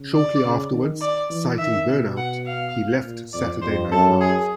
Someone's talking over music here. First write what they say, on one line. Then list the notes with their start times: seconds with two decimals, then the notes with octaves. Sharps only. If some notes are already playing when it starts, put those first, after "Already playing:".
Shortly afterwards, citing burnout, he left "Saturday Night Live".
Already playing: C#3
0.14 D5
0.43 C#3
0.72 D#3
1.01 D5
1.30 E3
1.58 D#3 E5
1.88 B2
2.17 F#5
2.46 F5
3.04 A#2
3.33 F2 D5
3.62 F2 C5
3.91 F#2 A4
4.21 G#4